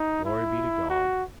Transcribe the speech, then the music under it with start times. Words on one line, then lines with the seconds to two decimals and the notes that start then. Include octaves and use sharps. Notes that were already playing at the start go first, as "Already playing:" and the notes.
Glory be to God.
Already playing: D#4
0.25 E4
0.90 F#4